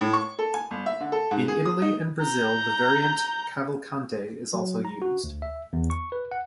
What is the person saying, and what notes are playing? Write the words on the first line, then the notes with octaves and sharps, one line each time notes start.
In Italy and Brazil the variant Cavalcante is also used.
A2
C#6
A4
G#5
G1
E5
D3
A4
G#2
G#4
D#6
D#4
A#5 G6
F#3
A#5
F#4
D2
E5
E2
C#6
B4
F#5